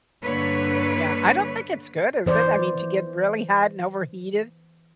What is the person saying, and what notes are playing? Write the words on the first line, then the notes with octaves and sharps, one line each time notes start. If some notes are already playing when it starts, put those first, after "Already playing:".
Yeah. I don't think it's good, is it? I mean, to get really hot and overheated,
G2 D3 A#3 B4 C#5
E3 C5 D5